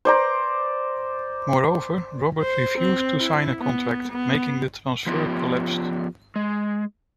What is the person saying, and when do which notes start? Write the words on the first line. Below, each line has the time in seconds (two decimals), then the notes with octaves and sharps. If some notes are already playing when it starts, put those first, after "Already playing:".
Moreover, Robert refused to sign a contract, making the transfer collapsed.
0.05 C5 D5 A#5
2.41 C5
2.78 C4
3.19 E4
3.59 B3
4.12 B3
5.06 F3 B3 C#4 F4 G4
6.36 G#3